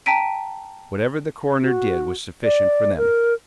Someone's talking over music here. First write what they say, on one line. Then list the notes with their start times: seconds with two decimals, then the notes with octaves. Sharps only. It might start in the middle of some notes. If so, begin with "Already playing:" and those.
Whatever the coroner did was sufficient for them.
0.06 G5 A5 A#5 B6 D7 D#7
1.63 F#4
2.44 D5
2.97 A#4